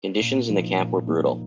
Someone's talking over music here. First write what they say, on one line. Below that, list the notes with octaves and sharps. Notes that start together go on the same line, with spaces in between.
Conditions in the camp were brutal.
A#2
F3 A#3 D#4
A#2
F3 A#3 D#4